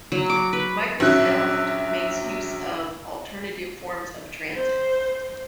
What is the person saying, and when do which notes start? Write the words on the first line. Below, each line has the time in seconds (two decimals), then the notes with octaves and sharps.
Microsoft makes use of alternative forms of transit.
0.12 F#3
0.30 D6
0.53 B4
1.00 A#1 F#3 C#4 E5 F#6
4.55 C5